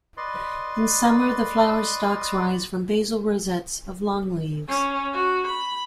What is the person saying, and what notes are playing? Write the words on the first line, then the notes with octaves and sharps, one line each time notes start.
In summer the flower stalks rise from basal rosettes of long leaves.
B4 D5 D#5 C6
C#4
F#4
B5